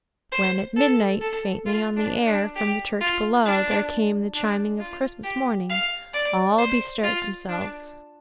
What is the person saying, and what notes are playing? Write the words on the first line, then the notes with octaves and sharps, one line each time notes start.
When at midnight, faintly on the air from the church below, there came the chiming of Christmas morning, all bestirred themselves.
C5
A4
A4
F4
D4
D4
G4
F4
D4
D4
F4
G4
F5
D5
C5
F4
D4